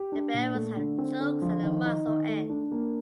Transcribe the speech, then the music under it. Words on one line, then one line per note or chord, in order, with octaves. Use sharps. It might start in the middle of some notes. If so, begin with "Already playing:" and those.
The barrels have chokes at the muzzle end.
Already playing: G4
D4
A#2
A3
D3
C4
D3
F3
D#3
D#4
D#3
A3
D4
A#3